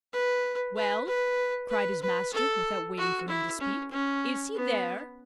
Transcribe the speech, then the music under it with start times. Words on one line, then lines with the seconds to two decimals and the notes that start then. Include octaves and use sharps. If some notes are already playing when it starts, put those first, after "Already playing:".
"Well!" cried his master, without waiting for him to speak, "is he there?"
0.13 B4
0.76 B4
1.08 B4
1.70 B4
2.02 B4
2.33 A4
2.98 F#4
3.28 E4
3.60 C#4
3.92 C#4
4.56 B3